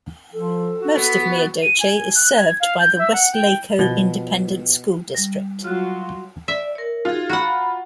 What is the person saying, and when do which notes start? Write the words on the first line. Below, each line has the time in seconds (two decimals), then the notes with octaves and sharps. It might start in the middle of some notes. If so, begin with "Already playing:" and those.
Most of Mila Doce is served by the Weslaco Independent School District.
0.33 F3 A4
0.80 F#4
0.97 B3
1.62 D#7
1.80 G#5
2.15 F#6
2.38 G#6
2.60 F5
2.79 G6
2.99 E5
3.13 F#5
3.32 G5
3.79 B2 F3 G7
5.15 G3 A#6
5.64 F#3 F4 F#4 F6 F#6
6.48 D5 E5
6.75 A#4 C#5
7.05 D#4 F4 F#4 G#4
7.29 F#4 F#5 A#5 B5